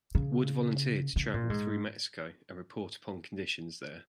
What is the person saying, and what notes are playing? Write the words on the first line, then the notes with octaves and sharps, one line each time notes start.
Wood volunteered to travel through Mexico and report upon conditions there.
C#3
C#3
A#2
G#2